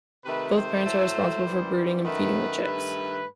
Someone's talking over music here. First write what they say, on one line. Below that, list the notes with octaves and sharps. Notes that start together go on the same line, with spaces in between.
Both parents are responsible for brooding and feeding the chicks.
C3 D#3 A3 B4
C5
A2 F#3 A3
F#2 E3 G3
F#2 D#3 A3 B4
G2 D#3 A3 B4